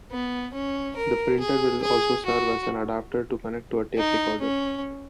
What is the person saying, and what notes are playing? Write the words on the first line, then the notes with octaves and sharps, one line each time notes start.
The printer will also serve as an adapter to connect to a tape recorder.
B3
C#4
A#4
G#4
G#4
F#4
D#4
C#4